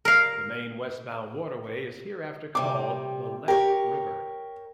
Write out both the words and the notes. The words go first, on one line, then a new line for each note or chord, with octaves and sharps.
The main westbound waterway is hereafter called the Lek River.
A#4 F5
C3 G3 D6
G4 A#4 C#5